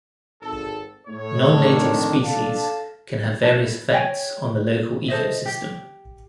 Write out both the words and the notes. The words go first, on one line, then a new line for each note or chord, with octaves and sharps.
Non-native species can have various effects on the local ecosystem.
G#1 A4
A2 C#5
F2 D#3 D4
D4 A4 F5 A5
E4 A5
C#5 G5 G#5
A4 C5 D#5 E5
G4